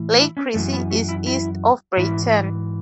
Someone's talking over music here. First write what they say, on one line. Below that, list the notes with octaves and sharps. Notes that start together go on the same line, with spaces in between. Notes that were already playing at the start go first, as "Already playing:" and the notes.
Lake Chrissie is east of Breyten.
Already playing: A2 E3
E4
C#4
F#2 E3 A3
B3
A3
E4
E4
G#2 E3 E4